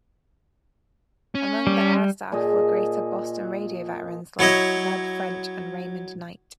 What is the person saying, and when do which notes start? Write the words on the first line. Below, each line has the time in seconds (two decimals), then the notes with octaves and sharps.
Among the air-staff were greater Boston radio veterans like Ned French and Raymond Knight.
1.35 C#4
1.67 G3
2.32 A#2 G#4 A4 D#5
4.39 F#3 E4 C#5 D#5 E5